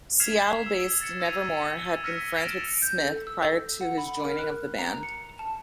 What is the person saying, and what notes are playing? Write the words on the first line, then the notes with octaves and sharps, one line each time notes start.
Seattle-based Nevermore had been friends with Smyth prior to his joining of the band.
F6 G#6 B6 C7 E7 F7
E6
A6 C#7
E6 G#6 D#7 F7
E6 F6 A#6 B6 C#7 D#7
F6 A6 A#6 D7 E7 F7
G6
A4
E6
F#5
B5
A#4
F#6
A#5
C#7
A5